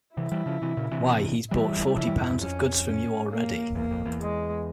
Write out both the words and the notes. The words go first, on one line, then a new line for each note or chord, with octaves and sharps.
Why, he's bought forty pounds of goods from you already.
C3 E3 E4
E3 G3
C#3 F3
C3 E3
A#2 C#3
C3 E3
E3 G3 E4
G3
C#3 F3 E4
E3 G3
F2 G#2
E2 G2
F2 C#4
C#4
A#3
E2 A#3
F2
E2
G#3